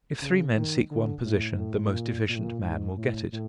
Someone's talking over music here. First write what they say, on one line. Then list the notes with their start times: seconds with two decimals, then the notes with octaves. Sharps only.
If three men seek one position, the most efficient man will get it.
0.22 C#3
0.56 D#3
0.91 D3
1.25 A2
1.51 G#2
1.60 A2
1.83 A2
1.94 A#2
2.28 A#2
2.36 A2
2.44 A#2
2.63 G#2
2.97 A2
3.32 A2